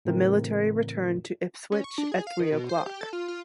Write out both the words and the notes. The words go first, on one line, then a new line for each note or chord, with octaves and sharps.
The military returned to Ipswich at three o'clock.
A2 C#3 E3 A3 C4 A#4
C#4
C#6
D4
G#4
F5
D#3
B2
C5
G4
A4
F4
F4